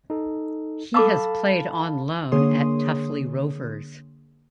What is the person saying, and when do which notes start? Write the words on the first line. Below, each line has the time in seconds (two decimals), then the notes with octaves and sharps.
He has played on loan at Tuffley Rovers.
0.10 D#4 A4
0.94 A4 F5 A5 B5 D6 E6
2.32 D3 A#3 G#4 C#5 C6 D#6